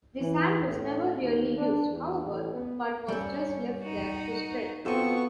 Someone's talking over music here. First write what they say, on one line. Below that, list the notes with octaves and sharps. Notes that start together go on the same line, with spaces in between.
The sand was never really used, however, but was just left there to spread.
E3
A2
D#2
D4
E2
A1
B3
G3 C#4 E5
D#4 F#4
B3 C4 F4 F#4 A4 D#5 C#6